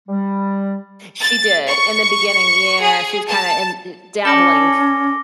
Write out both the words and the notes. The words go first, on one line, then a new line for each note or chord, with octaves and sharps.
She did, in the beginning, yeah, she was kinda in, uh dabbling
G3
A6
C#6
G#4
A5
C#4 A4 D5 D6 A#6 G7